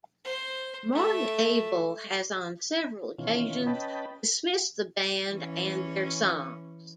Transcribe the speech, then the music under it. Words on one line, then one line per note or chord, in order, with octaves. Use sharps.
Morten Abel has on several occasions dismissed the band and their songs.
C5
A3 E5
B2 D#3 E3 C#4 F4
C#4 B4 D#5 G5 A5 B5
E3 C#4